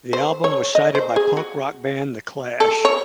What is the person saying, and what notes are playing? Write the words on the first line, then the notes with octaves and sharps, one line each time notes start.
The album was cited by punk rock band The Clash.
C5
C#5
D#5
C5
G#4
F#4
A4
C#5